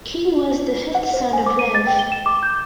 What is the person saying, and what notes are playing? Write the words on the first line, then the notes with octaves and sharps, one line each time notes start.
King was the fifth son of Rev.
F#5
C5
G#5
D6
D#7
A6
G5
G7
E7
D6
G6